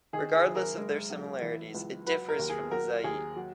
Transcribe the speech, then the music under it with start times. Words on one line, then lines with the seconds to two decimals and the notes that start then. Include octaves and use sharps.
Regardless of their similarities, it differs from the Zaï.
0.13 D#3 G#4
0.34 G#4
0.46 F#1
0.55 A#4
0.77 G#3
1.10 B1
1.42 E3
1.74 C#2
2.07 F#3 B4
2.29 A#4
2.39 D#2
2.49 G#4
2.71 F#3 A#4
3.04 D#2 G#4
3.36 F#3